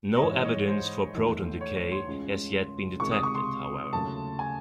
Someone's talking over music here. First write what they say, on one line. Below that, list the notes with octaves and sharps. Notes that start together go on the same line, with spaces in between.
No evidence for proton decay has yet been detected, however.
D#5
G#2 E3 G#3 C#5
D#5
C#5
C5
E2 D#3 A3
C#5
C#5
C6
C#2 C#3 G#3
C#2 C3 D#3 G#3 C#6
D#6
C#6
C6
D#2 C#3 F#3 A3 A5
G#5